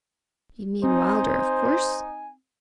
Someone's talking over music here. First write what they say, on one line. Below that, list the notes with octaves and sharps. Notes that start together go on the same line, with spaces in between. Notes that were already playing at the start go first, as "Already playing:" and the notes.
You mean Wylder, of course?'
C4 D#4 C5 G#5